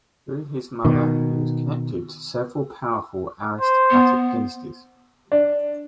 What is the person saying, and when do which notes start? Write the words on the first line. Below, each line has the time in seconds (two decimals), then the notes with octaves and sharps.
Through his mother, he was connected to several powerful aristocratic dynasties.
0.85 B2 D#3
3.61 C5
3.91 B3
5.32 D4